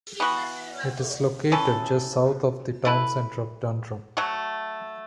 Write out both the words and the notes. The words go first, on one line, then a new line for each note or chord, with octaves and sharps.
It is located just south of the town centre of Dundrum.
E3 B3 F#4
E3 C#4 A4
A3 E4 B4
F#3 A3 F#4